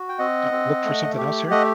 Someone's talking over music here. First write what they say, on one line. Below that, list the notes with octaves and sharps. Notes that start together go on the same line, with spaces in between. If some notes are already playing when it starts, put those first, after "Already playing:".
you know, look for something else here,
Already playing: F#4
G5
C4 D#5 F#5
C4
A3
G4
A3 D#5 F#5